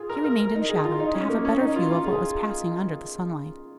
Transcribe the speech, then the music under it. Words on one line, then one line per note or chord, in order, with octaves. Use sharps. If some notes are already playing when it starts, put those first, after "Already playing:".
He remained in shadow, to have a better view of what was passing under the sunlight.
Already playing: F4 G#4
A#4
A#4
A#4
D#4
G#4
F4
D#4
C#4
A#3
C#4
D#4
F4
F4
G#4